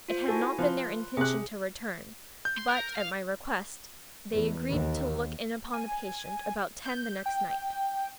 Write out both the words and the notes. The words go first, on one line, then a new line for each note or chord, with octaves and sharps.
It had not been their intention to return; but, at my request, they agreed to look in upon the patient about ten the next night.
F4 C5
E4 F#4 A4 G#5
F3 B4 C6
C3 G#4 F#6
G6
C6
A#4
F5
E2
D#2
G#5
G6
G5